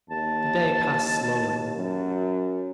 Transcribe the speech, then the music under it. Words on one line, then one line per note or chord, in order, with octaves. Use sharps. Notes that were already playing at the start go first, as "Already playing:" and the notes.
The day passed slowly.
D#2 A5
F#2 F#3